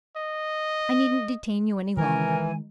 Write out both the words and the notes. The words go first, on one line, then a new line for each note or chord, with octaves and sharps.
I needn't detain you any longer.
D#5
D#3 E3 G#3 A#4 G#5